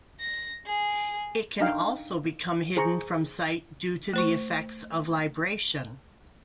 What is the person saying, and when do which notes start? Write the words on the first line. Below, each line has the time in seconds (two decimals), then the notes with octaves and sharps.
It can also become hidden from sight due to the effects of libration.
0.20 A#6
0.66 G#4
1.60 D4 D#4 D#5 F5 G5
2.77 G#4 C5 A#5 C#6
4.13 A3 C5 C#6